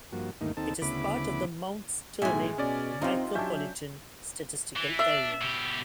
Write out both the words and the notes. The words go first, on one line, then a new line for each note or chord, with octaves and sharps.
It is part of the Mount Sterling Micropolitan Statistical Area.
G2 F3 A#3 F#4
D2 G2 D#3 A3 A#3 D#4
D#2 C4 D#4 A4 A5
D2 C#3 B3 E4 B5 D6
B1 A2 G#3 E5 G#5
B2 C#4 D5
C3 D#3 C4 D#4 F4
F#3 C#4 D4 E5 G6
E3
D4 E5
B2 G4